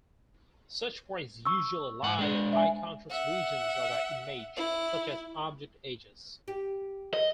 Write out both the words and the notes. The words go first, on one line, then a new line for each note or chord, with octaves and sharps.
Such points usually lie on high-contrast regions of the image, such as object edges.
C#6 E6
G#2 F#5
G#3 D4
E5 G#5
E5 F#5
E4
G4
D#5